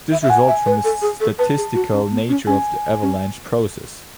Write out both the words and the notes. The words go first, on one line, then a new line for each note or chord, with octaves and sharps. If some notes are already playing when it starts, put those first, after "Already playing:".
This results from the statistical nature of the avalanche process.
E5
E5
F#5 G#5
E5
B4
A4
G#4
A4
B4 A5
G#4
F#4
C#4
B3
C#4
C#4 G#5
C#4